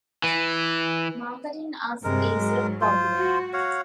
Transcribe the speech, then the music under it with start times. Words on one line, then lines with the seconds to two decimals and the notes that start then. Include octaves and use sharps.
Marketing us is a problem.
0.24 E3
2.04 G2 C3 G#3 A#4
2.37 G#2 F#3
2.81 F4 C5
3.16 F#4
3.53 C#5 F5 F#5